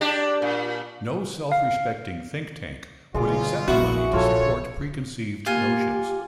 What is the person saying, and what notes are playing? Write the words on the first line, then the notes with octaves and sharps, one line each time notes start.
No self-respecting think tank would accept money to support preconceived notions.
D4 G4
A#2
F5
G1 C#2 B2 G#3 F4 G#4 D6
A#1 B3 E4 F#4 E5
A#1 F3 F4 A4 C#5
A#3 F4 G4 G#5